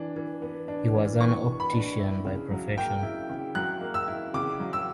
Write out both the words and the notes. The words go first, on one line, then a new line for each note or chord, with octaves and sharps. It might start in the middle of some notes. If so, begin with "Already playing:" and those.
He was an optician by profession.
Already playing: E3 D4
E3
B3
D4
E3
E3 C#6
B3
B5
D4
E4
C#3
F#3
A#3 G5
E4
C#3
F#3 F#6
A#3
E6
E4
C#3 D6
F#3
E6